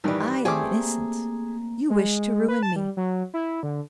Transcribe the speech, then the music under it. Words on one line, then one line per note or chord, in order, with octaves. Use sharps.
I am innocent; you wish to ruin me.
G2 D#3 E3 G3 B4
A3 C4 G4 G#4 G#5 D6
A#3
G#3
B4
A5
G3
F#3
E4
D3